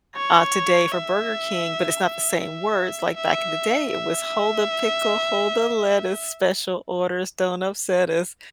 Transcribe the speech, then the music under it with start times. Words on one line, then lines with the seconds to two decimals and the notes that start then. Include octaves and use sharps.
uh, today for Burger King, but it's not the same words, like, back in the day, it was: Hold the pickle, hold the lettuce, special orders, don't upset us.
0.17 C#5
0.92 E5
2.42 E5
3.17 E5
3.92 E5